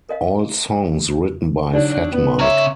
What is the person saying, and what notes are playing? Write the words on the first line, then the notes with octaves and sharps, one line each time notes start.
All songs written by Fat Mike.
A#4 D#5 F5
F#3 D4 D#4 G4 D5
B3 C#4
C#3 C#5 E5 A#5